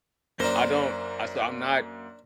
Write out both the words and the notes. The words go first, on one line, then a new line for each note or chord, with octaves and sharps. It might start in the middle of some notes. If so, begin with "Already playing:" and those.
I don't, I so, I'm not
F#2 A#3 D4 A#4 C5 A#6